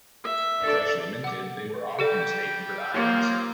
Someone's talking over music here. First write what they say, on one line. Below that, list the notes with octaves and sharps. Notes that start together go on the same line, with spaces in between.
Freshly minted, they were often mistaken for dimes.
E5
D4 A4 D5
F#5 D6
G3 G4 A4 D5 G5
F3 A#3 C4 G4 C5 C#5